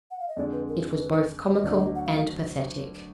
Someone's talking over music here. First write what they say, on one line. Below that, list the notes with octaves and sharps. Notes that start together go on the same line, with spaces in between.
It was both comical and pathetic.
F#5
F5
D#5
F2 D3 G#3 D5
B4
A#4
B4
D#5
D2 D3 F#3 D4 D5
D#5
F#5
F5
F5